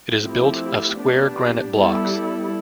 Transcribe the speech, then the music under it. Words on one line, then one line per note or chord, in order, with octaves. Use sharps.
It is built of square granite blocks.
F3 A3 C4 E4 G4
B3 D4 G4
G3 B3 E4 A4